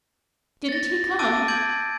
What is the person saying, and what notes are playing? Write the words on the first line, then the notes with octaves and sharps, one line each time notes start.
"Didn't he come?"
A6 A#6
A5 D6 E6 A6 D7 D#7
G6 G#6 D7 F#7